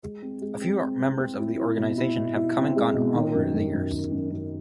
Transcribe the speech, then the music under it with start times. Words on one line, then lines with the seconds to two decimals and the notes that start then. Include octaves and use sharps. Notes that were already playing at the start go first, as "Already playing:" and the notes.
A few members of the organization have come and gone over the years.
0.03 G#3
0.22 C4
0.41 G#3
0.61 C4
0.81 C4
1.00 C4
1.20 C4
1.39 E4
1.59 E4
1.78 B2
1.98 E4
2.17 B2
2.37 E4
2.57 C4
2.76 G#3
2.94 B2
3.14 D#3
3.34 F#2
3.54 F#2
3.73 F#2
3.92 D#3
4.12 F#2
4.31 F#2